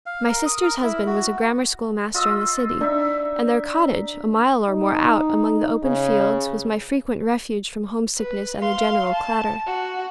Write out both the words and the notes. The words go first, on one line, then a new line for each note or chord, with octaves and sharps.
My sister's husband was a grammar school master in the city, and their cottage, a mile or more out, among the open fields, was my frequent refuge from homesickness and the general clatter.
F5
A#4
D#6
A#4
E4
F#4
F4 D#5 E6
D4 D#4 D5 E5
D#4
C#3
B4
F5 C6
A5
F#4